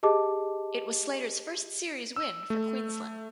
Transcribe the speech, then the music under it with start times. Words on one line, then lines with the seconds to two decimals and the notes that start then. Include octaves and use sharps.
It was Slater's first series win for Queensland.
0.03 G4 G#4 D#5 A5 D6
2.16 E6
2.50 A3